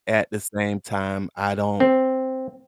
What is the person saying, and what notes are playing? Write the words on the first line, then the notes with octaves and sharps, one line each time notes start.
At the same time, I don't
C4